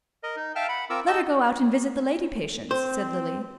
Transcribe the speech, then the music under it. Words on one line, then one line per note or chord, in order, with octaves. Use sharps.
"Let her go out and visit the lady patients," said Lily.
A#4 D#5
D#4
E5 F5 G5 A5 F6
F#5 B5
C4 F4 A#4 D6 E6
D#4 D#5 A5 E6
C4 C5